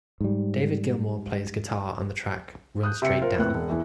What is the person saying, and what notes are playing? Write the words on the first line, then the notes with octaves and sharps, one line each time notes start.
David Gilmour plays guitar on the track Run Straight Down.
G#2 G3
D#6 F#6 G6
C3 C#7
F4 A#4 C5
A2 C4 B4 F#6
E1
E2 E3